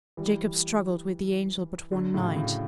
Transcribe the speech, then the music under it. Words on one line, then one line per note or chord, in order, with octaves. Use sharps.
Jacob struggled with the angel but one night.
E3 G3
D3 F#3
A2 C#3
A2 C#3